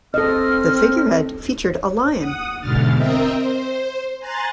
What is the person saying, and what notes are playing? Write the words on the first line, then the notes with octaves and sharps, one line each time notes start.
The figurehead featured a lion.
C4 A4 D#5 F6
F#5 D#6
E2 G#2 B2 D3 F6 A6
C4 A#4 D#5 E5 G5
C5
G#5 A#5 C6 F#6 A6